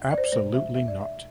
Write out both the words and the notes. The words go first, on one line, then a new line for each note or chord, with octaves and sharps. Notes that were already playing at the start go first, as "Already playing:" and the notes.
Absolutely not.
Already playing: E2
D5
C5
D5
B2 G#3 C5
E5
E2 E5
D5
E5